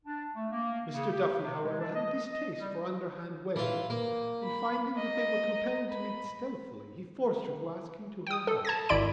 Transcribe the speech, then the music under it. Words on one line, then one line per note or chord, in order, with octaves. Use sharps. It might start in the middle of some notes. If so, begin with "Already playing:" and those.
Mr. Duffy, however, had a distaste for underhand ways and, finding that they were compelled to meet stealthily, he forced her to ask him to her house.
D4
A3
A#3
C#3
G4
C3
G#3
D4
D#5
D#5
G3
E3 F4
A#3
B5
D#5 A#5
B5
G5 D#6
A4
A5 G#6 A#6
G#1 E4 D5 B5 D7